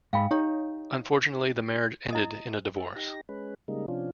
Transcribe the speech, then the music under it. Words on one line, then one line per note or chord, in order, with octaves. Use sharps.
Unfortunately, the marriage ended in a divorce.
G#2 F5 G5 B5
D#4 G4 C#5
E4 D#5 D#6
A4
D#4 G4 A#6
G#3 C#4 B4
C#3 G3 G#3 A#3 D#4
C3 F3 C#4 D4 F4